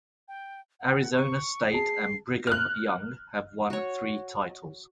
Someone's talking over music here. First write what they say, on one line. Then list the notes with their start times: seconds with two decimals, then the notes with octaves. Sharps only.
Arizona State and Brigham Young have won three titles.
0.28 G5
0.80 F#5
1.13 C#6
1.70 G#4 A5 C7
2.47 F6 F#6
3.70 F#4 C#5